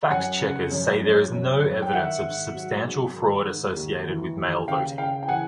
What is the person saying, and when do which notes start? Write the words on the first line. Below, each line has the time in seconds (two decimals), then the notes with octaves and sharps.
Fact checkers say there is no evidence of substantial fraud associated with mail voting.
0.10 F#2 F#5 G#5
0.41 C#3
0.72 F#2
1.02 F#2
1.32 F#2
1.63 F#2
1.82 G5
1.93 D#3 E5 F#5
2.23 G#2
2.55 F#3
2.85 G#2
3.15 D#3
3.46 G#2
3.76 D#2
4.07 E3
4.37 D#2
4.67 C#3 F5 G5
4.98 C#3 F5 G5
5.23 G5
5.28 E3 F#5 G#5